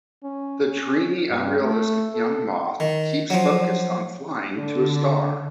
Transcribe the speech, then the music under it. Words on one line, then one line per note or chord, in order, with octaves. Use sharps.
The dreamy, unrealistic young moth keeps focused on flying to a star.
C#4
C#4
G2
A3
A4
D#3
F3 F#3
D3